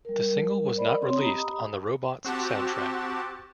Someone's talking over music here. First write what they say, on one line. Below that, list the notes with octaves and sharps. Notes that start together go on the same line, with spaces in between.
The single was not released on the "Robots" soundtrack.
G3 A#4
A#4 C5 D5 D#5 B5
C4 C#5 C6
G4 D#5 A#5 B5 D#6
C4 F#4 G4 A5